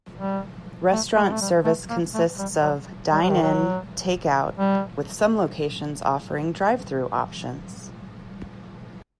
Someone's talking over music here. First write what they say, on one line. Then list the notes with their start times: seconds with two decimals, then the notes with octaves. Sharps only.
Restaurant service consists of: dine-in, take-out, with some locations offering drive through options.
0.18 G3
0.92 A3
1.16 A3
1.23 G3
1.32 A3
1.41 G3
1.64 A3
1.90 A#3
2.14 A3
2.39 G3
2.62 F#3
3.12 G3
3.22 F#3
3.31 D#3
3.42 F#3
4.58 G3